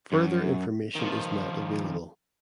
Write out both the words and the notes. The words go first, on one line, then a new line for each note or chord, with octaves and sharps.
Further information is not available.
F#2
D#3 F3